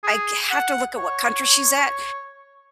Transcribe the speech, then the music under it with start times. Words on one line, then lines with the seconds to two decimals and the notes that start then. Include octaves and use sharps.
I c have to look at what country she's at.
0.04 G#4
0.51 F#5
0.98 C#5